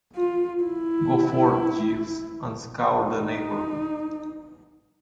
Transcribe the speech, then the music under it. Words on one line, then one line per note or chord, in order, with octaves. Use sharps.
Go forth, Jeeves, and scour the neighbourhood.
F4
E4
D#4